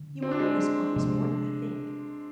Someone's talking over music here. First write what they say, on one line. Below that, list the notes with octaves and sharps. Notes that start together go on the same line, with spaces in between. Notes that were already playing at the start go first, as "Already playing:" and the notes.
You might risk one this morning, I think.
Already playing: D3
C4
D4
G#3 C4
C3 F3 G#3